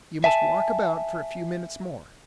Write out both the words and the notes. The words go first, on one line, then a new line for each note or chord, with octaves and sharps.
You must walk about for a few minutes more.
E5 G#5 A5